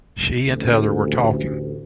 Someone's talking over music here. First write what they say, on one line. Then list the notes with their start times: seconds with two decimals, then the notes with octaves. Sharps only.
She and Heather were talking.
0.44 A1 D2